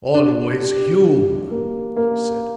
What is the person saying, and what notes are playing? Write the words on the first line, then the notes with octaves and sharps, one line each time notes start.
"Always Hume," he said.
D4
G4
D4
A#3
A#3